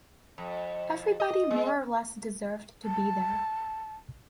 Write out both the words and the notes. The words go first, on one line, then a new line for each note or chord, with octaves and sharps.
Everybody more or less deserved to be there.
F2
D#5
G#3
A5